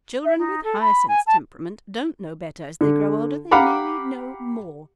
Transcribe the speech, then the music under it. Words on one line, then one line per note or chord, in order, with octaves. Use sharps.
"Children with Hyacinth's temperament don't know better as they grow older; they merely know more."
E5
D#4
A4
B5
G#5
A5
D3
G4 F5 F#5 A#5 B5 D6